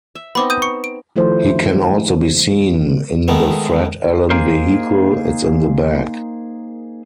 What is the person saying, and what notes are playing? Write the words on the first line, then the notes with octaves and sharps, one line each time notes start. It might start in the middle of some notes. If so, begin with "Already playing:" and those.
He can also be seen in the Fred Allen vehicle, It's in the Bag!
E5
B3 C4 D#4 B5 D6
D#6 G6 D#7
C#6 C#7
D7
D#3 F3 A3 E4 C5
D#3 G#3 A3 B3
A#3 D#4 G#4 A#4 C5